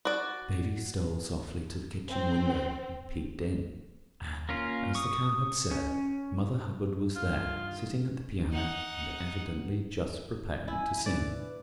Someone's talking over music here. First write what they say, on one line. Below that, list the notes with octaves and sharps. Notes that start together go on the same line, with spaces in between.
Davy stole softly to the kitchen window and peeped in, and, as the Cow had said, Mother Hubbard was there, sitting at the piano, and evidently just preparing to sing.
F#4 D5
C4
A#3 C#4 F4
C#6 D#6
C#4
G2 D#3 F4 F6
D#4 F#5
E4 G#5
G#2 B2 D3 B4 D5